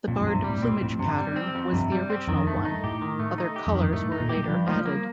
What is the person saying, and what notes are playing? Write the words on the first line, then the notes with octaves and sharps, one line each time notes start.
The barred plumage pattern was the original one; other colors were later added.
F2 A#2
G2
C3
G2
A2 G3
A#2 C4
F2 A2
G2 C3
G3
C4
F2
G2 C3
G3
C4
F2 D#3
A3
G2
D#4
A2 G4
D#3
A3
D#4
G4
F2
D#3
G2
A2 A3
D#4
A#2
G4
G3
G2 F3
F3 A3
G3
A#3